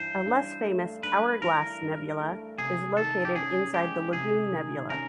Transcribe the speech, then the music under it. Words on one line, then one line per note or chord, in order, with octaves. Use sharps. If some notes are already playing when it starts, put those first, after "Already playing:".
A less-famous "Hourglass Nebula" is located inside the Lagoon Nebula.
Already playing: G2 E3 C5
G2
A3
G2 B4
E3 A#4
G2
A3
C3 G#4
D#3 A4
G4
C#4 G#4
G#3 G4
C3 G#4
D#3
C#4 A#4